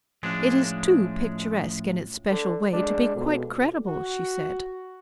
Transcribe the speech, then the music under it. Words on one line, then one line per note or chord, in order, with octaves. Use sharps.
"It is too picturesque, in its special way, to be quite credible," she said.
A2 F3 G#3 C#4 D4
D3
G#3 D4
F2 B2
F#4